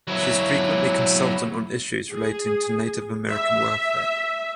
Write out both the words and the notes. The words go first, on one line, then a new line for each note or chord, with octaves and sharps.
She is frequently consultant on issues relating to Native American welfare.
F#3 E4
G#4
E5